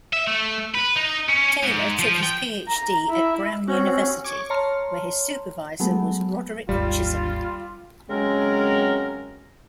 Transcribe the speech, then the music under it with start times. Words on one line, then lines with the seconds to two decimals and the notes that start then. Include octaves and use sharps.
Taylor took his PhD at Brown University, where his supervisor was Roderick Chisholm.
0.13 E5
0.27 A3
0.74 B4
0.96 D#4
1.29 C#4
1.63 G#2
1.99 F3
2.23 G5
2.68 A#5
3.09 E4
3.68 C4 C#4 F#4
4.25 C#5 C#6 D6
4.50 C#5 A5 A#5 C6 F6
5.80 F#3 G#3 A3 B3
6.69 G#1 D#2 G3 F4
8.09 C#3 F#3 G#3 C4 C#4 A#4